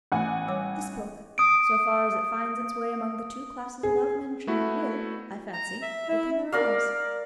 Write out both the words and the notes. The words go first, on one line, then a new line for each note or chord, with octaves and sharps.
This book, so far as it finds its way among the two classes above mentioned, will, I fancy, open their eyes.
A1 A3 B3 F#5 G#5
G3 C#5 D6
D#6 D7
G#4
A3 B3 E4 F#4
A#5
E5
E4
A#4 D5 F5